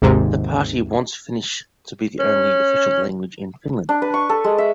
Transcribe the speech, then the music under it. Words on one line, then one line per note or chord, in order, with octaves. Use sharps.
The party wants Finnish to be the only official language in Finland.
G#1 D#2 G#2 C3
C#4
D4
B4
C#6
A4
G#3
E5